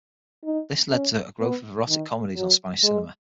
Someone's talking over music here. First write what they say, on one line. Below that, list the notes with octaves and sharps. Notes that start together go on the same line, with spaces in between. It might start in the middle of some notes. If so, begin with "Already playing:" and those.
This led to a growth of erotic comedies on Spanish cinema.
D#4
C#4
B3
D#3
F#3
G#3